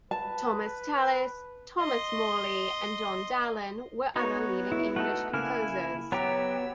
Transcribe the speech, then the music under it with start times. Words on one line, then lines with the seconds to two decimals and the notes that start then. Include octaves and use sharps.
Thomas Tallis, Thomas Morley, and John Dowland were other leading English composers.
0.11 B4 A5
1.80 D#5 C6
4.16 B3 D#4 F#4 C#5
4.72 E4
4.96 A3 D#4 A4 F#5
5.33 C#3 A#3 E4 G#5 F6
6.12 F#3 B3 G4 C#5 A#5 E6